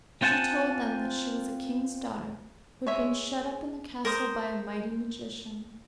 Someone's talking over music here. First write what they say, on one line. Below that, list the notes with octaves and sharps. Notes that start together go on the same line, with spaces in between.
She told them that she was a king's daughter, who had been shut up in the castle by a mighty magician.
C4 F4 C5 F#5 G#5 A5
G#3 C#5 E5
A#4 C5 D#6